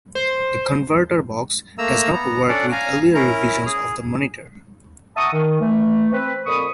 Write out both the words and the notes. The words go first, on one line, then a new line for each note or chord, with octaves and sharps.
The converter box does not work with earlier revisions of the monitor.
C5
A3 A#3 A#5 E6
B3 A#5
C#4 D4 A4 D5 F#5
F5 G#5 A#5
C#4 E4 A#4 A#5
G#4
E5 F#5 A5 A#5 C#6 D#6
D#3
E3 A3
C4 B4
F2 A#2 C4 B5 C#6 D#6